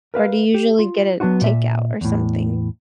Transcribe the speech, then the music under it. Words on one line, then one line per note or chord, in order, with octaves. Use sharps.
or do you usually get it takeout or something?
A#4 B4 F5
G4
F4
F#3 B3 D4 F4 F#4
A#2 E5
E2 A2